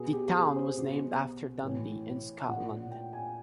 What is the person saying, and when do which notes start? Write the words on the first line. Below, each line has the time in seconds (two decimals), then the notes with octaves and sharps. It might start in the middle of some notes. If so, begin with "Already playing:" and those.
The town was named after Dundee, in Scotland.
Already playing: B2 G#4
0.13 G4
0.34 G#4
0.56 C5
0.77 B2
1.63 A2 E3
2.48 A#2 F#5
2.70 F#5
2.91 G5
3.13 G#5